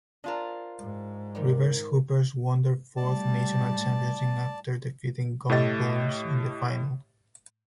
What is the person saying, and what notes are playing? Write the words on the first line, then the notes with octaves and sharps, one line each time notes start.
Rivers Hoopers won their fourth national championship after defeating Gombe Bulls in the final.
D4 F4 A#4 C5 D#5
G#2
A#2 D#3 G3
A2 G3 D5 A5
A2 A3 G4 D#5 A6